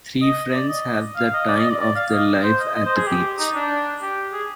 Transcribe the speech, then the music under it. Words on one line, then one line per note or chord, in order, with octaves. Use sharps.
Three friends have the time of their life at the beach.
D#5
D5
D#5
F5
D#5
D5
D#5
D5
D5
F5
D#5
C5
D#5
D#5
C5
G#4
G4
D#4
D4
G4
G#4